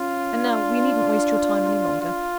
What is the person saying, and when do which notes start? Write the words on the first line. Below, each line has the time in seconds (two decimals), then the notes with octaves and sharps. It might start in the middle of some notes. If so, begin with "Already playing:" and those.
And now, we needn't waste your time any longer.
Already playing: C#4 F4
0.35 D4
2.01 F4